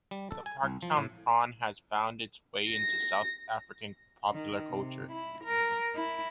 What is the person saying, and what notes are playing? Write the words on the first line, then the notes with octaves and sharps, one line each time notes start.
The Parktown prawn has found its way into South African popular culture.
G3
A4
G#5
C2
F3
A2
A#6
D#3
C3
E4
A#4
E4